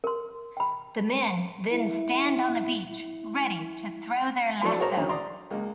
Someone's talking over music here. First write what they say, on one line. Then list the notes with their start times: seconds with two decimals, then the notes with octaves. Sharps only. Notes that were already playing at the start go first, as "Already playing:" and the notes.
The men then stand on the beach ready to throw their lasso.
0.04 A#4 C6
0.57 G5 B5
1.72 E4
2.92 E4
4.63 F3 F#3 D4 E4 A4 D5
4.78 F#4 G#4 A#4 C5 C#5 A#5
4.97 D3 D#3 F#3 C#4 D#4
5.09 D5 A#5 C6 D#6
5.51 C#2 G#3 A#3